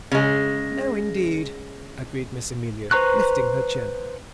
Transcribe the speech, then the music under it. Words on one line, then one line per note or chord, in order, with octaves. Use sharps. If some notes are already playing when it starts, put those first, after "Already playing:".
"No, indeed!" agreed Miss Amelia, lifting her chin.
C#3 G#3
B4 C5 A#5 C#6 F#6